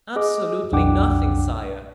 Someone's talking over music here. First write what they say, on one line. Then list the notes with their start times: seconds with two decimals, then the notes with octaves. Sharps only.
"Absolutely nothing, sire."
0.16 G#4 D#5 D6
0.72 B1 F2 D4 F#5 G5 D6